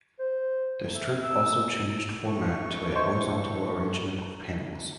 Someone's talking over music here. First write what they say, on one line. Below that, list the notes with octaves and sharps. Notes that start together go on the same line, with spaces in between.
The strip also changed format to a horizontal arrangement of panels.
C5
E5
E6
E3 D4 C#6
C5 C#5 D#5 E5